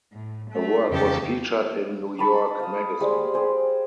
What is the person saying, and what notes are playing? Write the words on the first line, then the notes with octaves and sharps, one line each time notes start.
Her work was featured in "New York" magazine.
A2
A3
F2 C#3 E3 G4 A4
A5 B5 C#6 D6
F5 D#6
G3 G#3 C5 D6
G4 G#4 C5